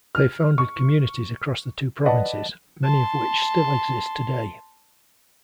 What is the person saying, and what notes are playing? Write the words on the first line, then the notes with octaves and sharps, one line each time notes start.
They founded communities across the two provinces, many of which still exist today.
F6
C#6
B4 D5 D#5 F#5 A5
A5 C6